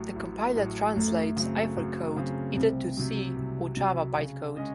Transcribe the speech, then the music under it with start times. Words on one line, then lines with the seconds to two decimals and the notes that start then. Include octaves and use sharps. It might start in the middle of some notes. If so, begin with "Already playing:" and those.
The compiler translates Eiffel code either to C or Java bytecode.
Already playing: A1 A2 F#3 A3
0.16 A1
0.56 A2 F#3
0.96 F#2 A3
1.36 C#3 F#3 C4
1.76 F#2
2.16 C#3 F#3 C4
2.57 C2 C4
2.97 C3 F#3
3.36 C2
3.76 C3 F#3
4.16 C#3
4.57 G#3 C#4 G#4 D#5